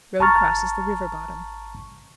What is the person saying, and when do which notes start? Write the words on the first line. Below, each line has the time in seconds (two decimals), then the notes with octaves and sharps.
Road crosses the river bottom.
0.20 G#1 A5 A#5 C#6 F6 A6